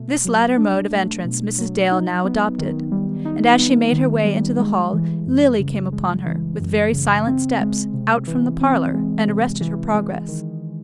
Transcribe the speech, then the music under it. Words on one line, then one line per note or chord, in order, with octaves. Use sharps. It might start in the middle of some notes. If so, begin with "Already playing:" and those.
This latter mode of entrance Mrs. Dale now adopted; and as she made her way into the hall Lily came upon her, with very silent steps, out from the parlour, and arrested her progress.
Already playing: B2 A3
F#3
D4
A3
B2
F#3
D#4
B3
D#3
G3
D#4
B3
D#3
G3
G#3
E3
F#2
C#3
G#3
E3
F#2
C#3
C4
G#3
C3
E3
C4
G#3
C3
E3
G#3
D#3